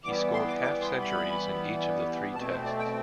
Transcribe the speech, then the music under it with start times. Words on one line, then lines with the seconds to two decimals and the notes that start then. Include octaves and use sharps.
He scored half-centuries in each of the three Tests.
0.04 E3 G3 B3 D6
0.33 C6
0.48 D6
0.63 D6
0.81 C6
1.01 B5
2.36 B2 A3 C4 A5
2.50 C5
2.64 D5
2.79 G5